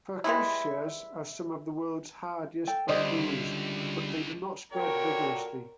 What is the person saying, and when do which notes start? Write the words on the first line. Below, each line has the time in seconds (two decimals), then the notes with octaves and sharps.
Fargesias are some of the world's hardiest bamboos, but they do not spread vigorously.
0.24 E3 G3 G#3 E4
2.67 A4 G5
2.89 C#2 D3 G3 E4 C5 D5 D#5
4.73 A#2 D3 F#4 A#4 C#5 G5